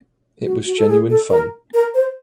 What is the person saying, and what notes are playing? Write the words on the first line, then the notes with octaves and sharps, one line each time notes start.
It was genuine fun.
F#4
F#4
A4
G#4
A4
A#4
A#4
C5